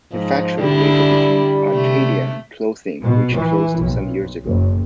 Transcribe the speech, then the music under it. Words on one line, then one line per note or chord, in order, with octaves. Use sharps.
The factory later became Arcadia Clothing which closed some years ago.
G#2 F3
D3 G3 E4
C3 A3
B2
E3
B1
F#1